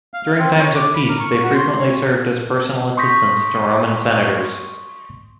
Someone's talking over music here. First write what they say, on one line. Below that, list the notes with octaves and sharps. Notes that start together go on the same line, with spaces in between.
During times of peace they frequently served as personal assistants to Roman senators.
F5
F5
C4
C#5
D6
B5
A#4
C#6
F#4
C6
C#5
C6 C#6 D#6 G6 A#6 B6